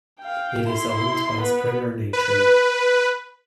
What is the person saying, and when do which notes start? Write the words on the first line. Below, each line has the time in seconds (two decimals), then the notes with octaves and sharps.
It is owned by Springer Nature.
0.20 F5 G5
0.69 E4 C6
1.40 B3 B4
2.13 B4